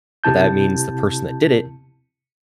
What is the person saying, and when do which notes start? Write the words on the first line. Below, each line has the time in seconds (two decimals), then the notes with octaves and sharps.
but that means the person that did it
0.24 C3 E4 A5 G6